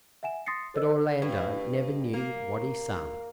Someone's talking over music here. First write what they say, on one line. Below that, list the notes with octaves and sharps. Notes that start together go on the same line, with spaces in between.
But Orlando never knew what he sang.
E5 F#5 G#5 E7
C6 D#6 A6 A#6 C7 C#7
A4 A#4 C5 D5 D#5 E6
G2
A#3